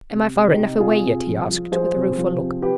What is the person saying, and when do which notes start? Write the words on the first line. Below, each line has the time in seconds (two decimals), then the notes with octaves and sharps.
"Am I far enough away yet?" he asked, with a rueful look.
0.13 C3
0.35 C3
0.50 D#4 G4
0.58 C3
0.80 C3 F4 G#4
1.03 C3
1.27 F3
1.49 F3
1.72 F3 G#4 C5
1.95 C3
2.17 F3
2.40 C3
2.62 G4 B4